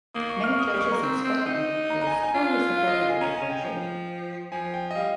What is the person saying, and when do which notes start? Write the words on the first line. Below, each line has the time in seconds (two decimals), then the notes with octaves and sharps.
Many churches in Scotland were strongly supportive of devolution.
0.14 A#3 D#6
0.29 C#6
0.44 F6
0.53 C#6
0.59 D#6
0.70 D#6
0.74 G3
0.81 C#6
0.84 G#3
0.91 A#3 A#5
1.03 C4
1.24 C4
1.46 D#4
1.90 A#5
2.01 A#5
2.07 G#5
2.12 A#5
2.23 G#5
2.34 F4
2.77 F5
2.87 D#5
2.99 F5
3.09 G#5
3.20 C#4 A#5
3.35 G#5
3.43 C#4
3.50 G5
3.64 F3
4.52 F3 G#5
4.74 G5
4.91 D#5
4.95 G3 F5